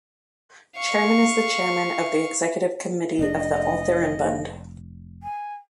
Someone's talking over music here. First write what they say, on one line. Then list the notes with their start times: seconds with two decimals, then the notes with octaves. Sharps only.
Chairman is the chairman of the executive committee of the Altherrenbund.
0.77 F5 C#6
3.19 F1 D4 D#5
5.23 G#5